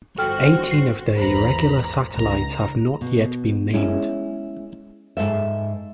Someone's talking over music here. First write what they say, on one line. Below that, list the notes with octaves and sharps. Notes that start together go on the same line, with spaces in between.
Eighteen of the irregular satellites have not yet been named.
G1 F#4 A4 C5 G5 F6
C7
G#1 E2 C5 A#5 B5
C#2 A#5
B2
G#3 C#4 E4
G#2 A4 E5